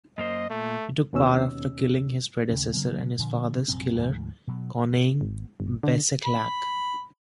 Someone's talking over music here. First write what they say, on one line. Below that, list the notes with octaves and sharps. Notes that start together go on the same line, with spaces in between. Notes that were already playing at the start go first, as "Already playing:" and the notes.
He took power after killing his predecessor, and his father's killer, Conaing Bececlach.
F#2 A#3 C5 D#5
A#2 A3
D#2 B2 C#4 E6
D#2 C#3 A3 C#4
C#3 F#3 A#3 B3
A#2 D3 F3
A#1 F#2 C3 C4
D2 G#2 F3 A3
B2 F#3
G#1
G1
D3
B5